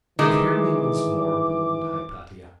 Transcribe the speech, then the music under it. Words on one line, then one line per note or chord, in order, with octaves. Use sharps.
But hear me once more, beloved Hypatia.
D#3 E3 G#3 G#4 E5 D6